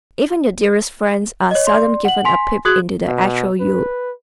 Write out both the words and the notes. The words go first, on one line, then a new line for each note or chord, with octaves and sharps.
Even your dearest friends are seldom given a peep into the actual You.
C#5 D#5
D5 C6
F#5 F#7
G#5 C6 B6
F#4 G#4 D#6 F#6 G#6 F#7
B2
B4